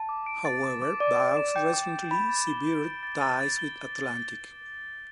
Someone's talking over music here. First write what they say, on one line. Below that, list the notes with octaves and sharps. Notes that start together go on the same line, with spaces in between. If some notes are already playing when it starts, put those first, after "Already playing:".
However, Vaux recently severed ties with Atlantic.
Already playing: A5
D6
D7
A6
D6
D6
D5 D6
D6
E7
G5 G6
D6
D6
B5 A6
A6
G7
D7
A6
A6
A6
A6
G7